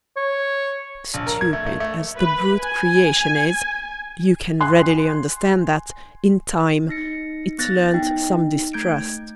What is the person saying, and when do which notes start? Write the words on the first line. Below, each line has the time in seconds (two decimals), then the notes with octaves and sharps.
Stupid as the brute creation is, you can readily understand that, in time, it learnt some distrust.
0.17 C#5
1.14 A#1
1.27 A#4
1.41 G#6
1.53 A3
1.66 A3
1.80 A3
2.17 B4
2.60 G#5
4.60 G#5 C6 F#6
6.89 D#4 A#6 C#7
7.58 B3 F#6 A6 A#6
7.94 D#4 G5
8.73 A3 G6 G#6 D7